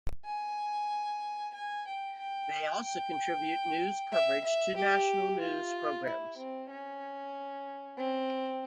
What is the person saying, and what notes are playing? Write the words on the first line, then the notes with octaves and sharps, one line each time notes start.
They also contribute news coverage to national news programmes.
G#5
G#5
G5
G5
G5
E5
E5
G4
F4
E4
C4
C#4
C4